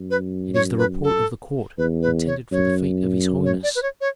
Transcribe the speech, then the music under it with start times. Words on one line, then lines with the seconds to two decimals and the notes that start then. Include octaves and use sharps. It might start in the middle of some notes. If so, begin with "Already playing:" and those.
"It is the report of the court intended for the feet of his holiness."
Already playing: F#2
0.11 B4
0.54 C#5
0.78 B4
1.03 A4
1.78 E2 B4
2.02 B4
2.27 C#5
2.52 F#2 C#5
3.45 C#5
3.63 D5
3.75 B4
3.83 C#5
4.01 C#5